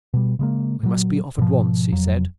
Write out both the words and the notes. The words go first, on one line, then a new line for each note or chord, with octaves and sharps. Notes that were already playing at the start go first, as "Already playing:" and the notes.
"We must be off at once," he said.
B2 G3
C#3 G#3 A#3
A#2 F#3
G#2 B2 F3
F#1 F2 F3 F#3